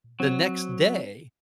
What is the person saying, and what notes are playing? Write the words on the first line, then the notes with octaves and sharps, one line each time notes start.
the next day,
F#3 C4